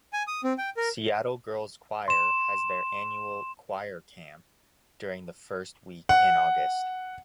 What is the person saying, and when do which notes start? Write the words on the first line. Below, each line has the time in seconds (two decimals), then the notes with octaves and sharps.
Seattle Girls Choir has their annual "Choir Camp" during the first weekend in August.
0.13 G#5
0.27 D#6
0.44 C4
0.58 G5
0.77 A#4
2.08 C6 E7
6.09 F#5